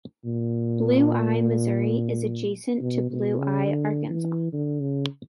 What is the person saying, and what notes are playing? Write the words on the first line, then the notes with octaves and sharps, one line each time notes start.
Blue Eye, Missouri is adjacent to Blue Eye, Arkansas.
A#2
B2
B2
C#3
D3
E3
D3
C#3